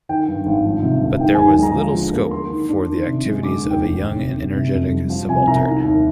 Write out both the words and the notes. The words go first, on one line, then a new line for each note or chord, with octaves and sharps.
But there was little scope for the activities of a young and energetic subaltern.
D#3 G5
G2
G#1
F3
C3
D2
D#3 G5
G#5
D#2
G#5
G#3
A#5
F3
D3
A#3
A#3 C6
D#3
D4
D#3
C3
G#3
D3 D6
D#2
G5
F1
D#3
C3
D2
C3
F2
G3
F3
C3 G#5
C2 A#5
D#3
D#2